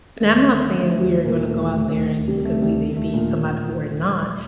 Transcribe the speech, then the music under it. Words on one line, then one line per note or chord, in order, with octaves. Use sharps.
And I'm not saying we are gonna go out there and just completely be somebody who we're not,
D#2 A3
D3
D3 A3
D#2 G3
A#2 D#3 A#3
A3
D#2
A3
D2 A3
D2
C3 G3
A3
D#3
G3
D#2
A3
D3
A#2 A#3